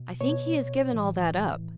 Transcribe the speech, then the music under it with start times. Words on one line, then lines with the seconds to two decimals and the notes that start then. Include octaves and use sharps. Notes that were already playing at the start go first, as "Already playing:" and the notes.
"I think he has given all that up."
Already playing: B2
0.21 B2 C#5
0.92 A2 E3